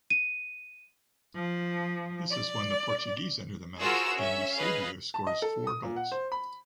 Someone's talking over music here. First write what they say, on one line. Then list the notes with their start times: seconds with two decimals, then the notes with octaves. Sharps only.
This is when the Portuguese enter the match and Eusebio scores four goals.
0.10 D#7
1.35 F3
2.30 D5
3.79 F4 F#4 G#4 A#4 C5 E6
4.16 C#4 E5
4.56 G#4 B4 D#5 F5
5.14 A5
5.27 D#5
5.42 A4
5.67 D#6
5.83 A#2
5.96 F#5
6.12 C5
6.32 B5